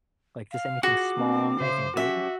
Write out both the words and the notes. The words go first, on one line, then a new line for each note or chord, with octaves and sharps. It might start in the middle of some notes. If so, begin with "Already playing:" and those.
Like, just anything small, anything big?
F5
F4 F#4 G#4 F#5 D6
A#3 C4 D4
C#3 C5 E5 F5
F#3 C#4 F#4 G4 E5